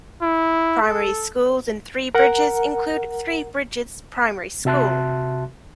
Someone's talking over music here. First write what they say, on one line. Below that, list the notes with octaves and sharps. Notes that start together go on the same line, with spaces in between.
Primary schools in Three Bridges include Three Bridges Primary School.
E4
A4
A#4 F#5 A#5
C3 F#4 E5 A5 C6 F#6